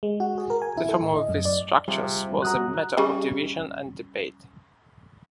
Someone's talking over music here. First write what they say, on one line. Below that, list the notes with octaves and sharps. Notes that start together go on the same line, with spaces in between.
The form of these structures was a matter of division and debate.
G#3
F#4
G#4
A#4
G#5
E4
A4
A2
D#5
F#2
D5
C3 G3 F4 G#4
F#2 F#4 A#5 D#6 F#6
C#3 G3